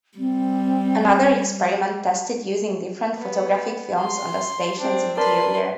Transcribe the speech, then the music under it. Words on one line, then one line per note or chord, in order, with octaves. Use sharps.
Another experiment tested using different photographic films on the station's interior.
G3 C4
B3
C6
C4 D4
A#4 B4 D5 A5 C6